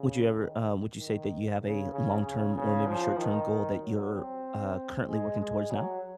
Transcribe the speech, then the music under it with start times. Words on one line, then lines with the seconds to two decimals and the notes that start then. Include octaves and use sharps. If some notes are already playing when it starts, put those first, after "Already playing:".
Would you ever um, would you say that you have a long-term or maybe short-term goal that you're, uh, currently working towards now?
Already playing: C#3
0.34 D#3
0.97 D#3
1.60 C#3
1.91 C#3
2.23 C#3
2.55 C#3
2.87 F3
3.18 D#3
3.81 F#3
4.13 C4
5.08 G#3
5.39 G#3
5.71 F#3